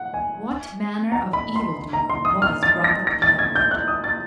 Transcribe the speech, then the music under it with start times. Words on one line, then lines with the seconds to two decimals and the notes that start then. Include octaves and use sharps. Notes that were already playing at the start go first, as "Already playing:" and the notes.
What manner of evildoer was Robert Bludward?
Already playing: F#5
0.14 G#5
1.12 A#5
1.33 B5
1.56 C6
1.93 A#5
2.10 C6
2.25 D#6
2.42 F6
2.63 A6
2.84 A#6
3.07 A#6
3.22 A6
3.39 G#6
3.56 G6
3.71 F#6
3.88 D#6
4.04 A6